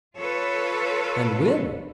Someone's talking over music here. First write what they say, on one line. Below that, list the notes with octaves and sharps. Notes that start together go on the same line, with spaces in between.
"And will?"
F4 A4 B4 C#5